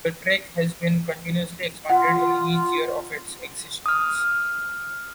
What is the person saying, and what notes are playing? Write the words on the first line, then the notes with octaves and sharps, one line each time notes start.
The track has been continuously expanded in each year of its existence.
F4 F#5
D#6 F6